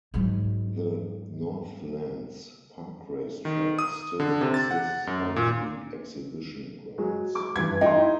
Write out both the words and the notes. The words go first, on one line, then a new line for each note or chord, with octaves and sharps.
The Northlands Park race track still exists on the exhibition grounds.
G#2 F#3
D#3
D#6
D3
C3
A6
F#5
F#2
A#2
F#3 G#3
D6
G2 E3 G#6
D#4 G5 C6
E4